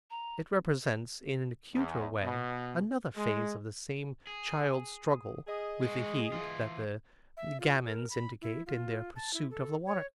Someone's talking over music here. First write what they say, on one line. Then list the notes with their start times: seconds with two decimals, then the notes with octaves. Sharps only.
It represents in an acuter way another phase of the same child-struggle with the heat that the gamins indicate in their pursuit of the water-cart.
0.11 A#5
1.74 E2
2.22 B2
3.16 G#3
4.27 G#4
5.47 G#4 D#5
5.83 G#3 F#4
6.32 E3 F4
7.37 E5
7.60 F4
7.84 A#4
8.10 B5
8.42 E4
8.66 F4
9.15 A5
9.34 E4
9.51 A4
9.86 C#5